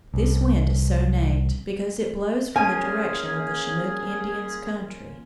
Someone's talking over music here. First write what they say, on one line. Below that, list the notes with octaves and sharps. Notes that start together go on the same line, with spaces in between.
This wind is so named because it blows from the direction of the Chinook Indians' country.
C2
A#3 C#4 F4 G#4 G#5